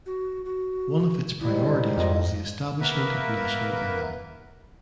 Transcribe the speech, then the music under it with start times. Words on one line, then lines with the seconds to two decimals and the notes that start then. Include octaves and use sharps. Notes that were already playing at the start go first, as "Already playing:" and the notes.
One of its priorities was the establishment of national airline.
0.06 F#4
0.45 F#4
1.41 G#2 D#3 G3 E4
1.97 F2 D#5
2.81 A#3 B3 A#4 B4 E5